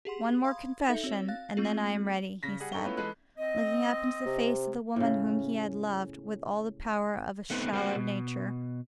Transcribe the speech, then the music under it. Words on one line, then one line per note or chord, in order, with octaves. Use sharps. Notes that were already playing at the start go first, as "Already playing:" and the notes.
"One more confession, and then I am ready," he said, looking up into the face of the woman whom he had loved with all the power of a shallow nature.
G4 G#4 F#5 C6
F5 B5 C6 D#6 G#6
D#4 A4 E5 A#6
C4 F#4 C#5
F5 F#6 A6 A#6
A3 C4 F4 G#4
C#3 A#6 B6
G3 G#4 F#5
D#4 A4 G5 A#5 C#6 G7
A3 B3 C#4 E4 F4 B4
E3 G#3 A4 B4 F#6
C4 D#5
C3
A2 C#3
A3 B3 C4 D#4 A4 B4
G#3 A#3 C4 D#4 F#4
B2